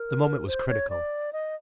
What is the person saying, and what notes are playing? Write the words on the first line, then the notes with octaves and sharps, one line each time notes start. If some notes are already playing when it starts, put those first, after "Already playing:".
The moment was critical.
Already playing: A#4
C5
C#5
D5
D#5